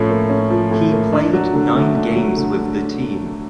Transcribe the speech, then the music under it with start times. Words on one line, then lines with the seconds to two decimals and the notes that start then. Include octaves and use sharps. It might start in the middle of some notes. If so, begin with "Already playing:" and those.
He played nine games with the team.
Already playing: A2 F3 C#4
0.10 A#3
0.30 C#4
0.50 F3
0.71 A2
0.92 A#3
1.13 D4
1.33 F#3
1.54 D3
1.74 A3
1.96 D4
2.16 F#3
2.37 D3